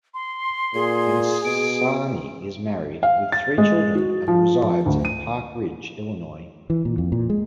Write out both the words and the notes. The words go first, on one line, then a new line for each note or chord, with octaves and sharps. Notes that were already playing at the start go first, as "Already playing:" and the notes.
Ansani is married with three children and resides in Park Ridge, Illinois.
C6
A#2 G#4
B2 D7
F5
A6
G#3
F#4
F3
F3
D2
D#7
E3
A#2
F2
A#2
G#3